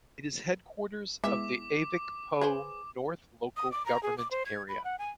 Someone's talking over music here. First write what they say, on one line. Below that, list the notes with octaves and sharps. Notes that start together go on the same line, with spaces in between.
It is the headquarters of the Afikpo North Local Government Area.
G#3 B3 E4 E5 D6
G#4 B4 C5
D#6
D6
A#5
G#4
D6
C5
G#6
B5
F#5
G#5